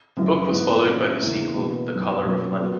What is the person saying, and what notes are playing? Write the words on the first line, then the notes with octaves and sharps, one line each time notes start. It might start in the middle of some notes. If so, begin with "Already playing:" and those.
The book was followed by the sequel "The Color of Money".
F#1 F#2 C#3 E3
G#2 E3 B3
A#2 A#3 C#4 E4
E2 C#3 E3 A#3
B2 A#3 E4 B4
F#2 E3 B3 D#4
B1 A#2 F#3 C#4
A#2 F#3 B3